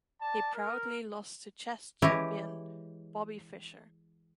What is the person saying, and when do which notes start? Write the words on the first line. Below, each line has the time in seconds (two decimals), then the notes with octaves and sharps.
He proudly lost to chess champion Bobby Fischer.
0.21 D5 A5
0.55 A#4
2.02 E3 G#3 E4 G4 C#5 D#5